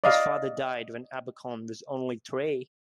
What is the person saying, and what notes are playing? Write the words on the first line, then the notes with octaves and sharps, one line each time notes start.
His father died when Abercorn was only three.
D5 D#5 F5